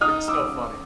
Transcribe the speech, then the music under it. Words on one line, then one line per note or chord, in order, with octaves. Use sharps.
It's so funny.
D#4 D#6 F6
D6 E6